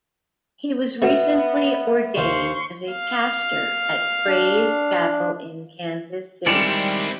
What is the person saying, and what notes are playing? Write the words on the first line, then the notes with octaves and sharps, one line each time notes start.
He was recently ordained as a Pastor at Praise Chapel in Kansas City.
A3 B3 F#4 B4 E5
D#2 D#3 C5 F5 C6 C#6
F5
D4
D#3 G3 G#3 C4 E4 D5 C#7 E7